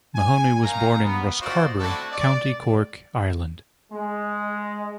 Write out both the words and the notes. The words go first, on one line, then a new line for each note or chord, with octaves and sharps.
Mahony was born in Rosscarbery, County Cork, Ireland.
G#5
C#4 D#4 A#4 F5 A#5
B3
D#4 F4 F#4 C5 D5 F5
A3 C4 D4 E4 F#4 A4
D5
G#3